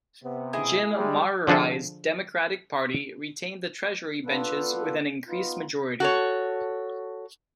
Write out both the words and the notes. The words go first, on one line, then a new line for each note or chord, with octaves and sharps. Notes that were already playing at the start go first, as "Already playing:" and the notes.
Jim Marurai's Democratic Party retained the Treasury benches with an increased majority.
C3 B3
E4 G#4 D#5
G3 G#3
D3 F3 D4 G#4 A4
B3 D4 F4 A4 B4
B3 D#4 F4
F#4 A4 C#5